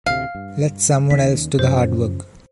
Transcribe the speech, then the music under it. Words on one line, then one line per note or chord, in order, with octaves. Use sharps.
Let someone else to the hard work.
D2 A2 C3 F5
G2
D#2 D#3 C#4 B6
F#2 C#3 F3 C5